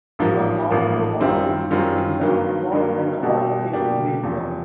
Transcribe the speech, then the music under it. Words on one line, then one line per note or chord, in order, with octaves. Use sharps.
He was also All-District in basketball and All-State in baseball.
A1 G#2 F3 A#3
A1 G#2 F3 A#3
F#2 D#3 G3 C4 F4
F#2 D#3 G3 C4 F4
G2 D#3 F#3 A#3
G2 D#3 F#3 A#3
B2 G3 A#3 D4 G4
B2 G3 A#3 D4 G4
E2 C3 F3